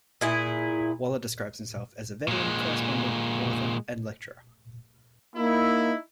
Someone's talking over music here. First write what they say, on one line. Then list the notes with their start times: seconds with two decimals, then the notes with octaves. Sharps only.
Waller describes himself as a veteran correspondent, author and lecturer.
0.21 A#2 E4 G#4
2.28 A#2 G#3
5.36 A#3 D#4 E4